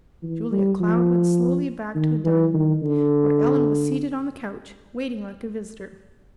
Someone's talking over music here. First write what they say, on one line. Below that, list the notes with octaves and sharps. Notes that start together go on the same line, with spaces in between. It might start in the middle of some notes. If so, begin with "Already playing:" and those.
Julia Cloud went slowly back to the dining-room, where Ellen was seated on the couch, waiting like a visitor.
E3
G3
F3
D#3
E3
D#3
D3